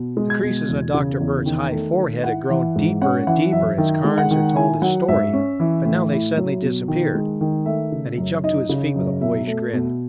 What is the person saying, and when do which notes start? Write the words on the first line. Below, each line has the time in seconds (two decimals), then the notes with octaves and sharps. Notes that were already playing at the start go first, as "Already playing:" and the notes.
The creases on Dr. Bird's high forehead had grown deeper and deeper as Carnes had told his story, but now they suddenly disappeared, and he jumped to his feet with a boyish grin.
Already playing: B2
0.17 G#3
0.30 G#6
0.43 B2
0.68 E2
0.94 C#3
1.20 E2
1.46 D#3
1.72 A3
1.98 D#3
2.23 E4 F#5
2.50 E3
2.76 G#2
3.01 C#4 F#5
3.27 E3 F#5
3.52 F#2 E5
3.78 D#3 E5
4.04 G#3
4.18 F#5
4.31 D#3
4.56 E4 G#5
4.82 F#3 F#5
5.08 G#2 E5
5.33 C#4
5.60 E3
5.85 A2
6.11 E4
6.37 F#3
6.62 B2
6.88 D#3
7.15 G#3
7.41 D#3
7.66 A3 E5
7.92 C#3
8.18 F#2
8.43 D#4 D#5
8.69 C#3
8.95 F#2
9.21 B2 E5
9.47 A3
9.73 B2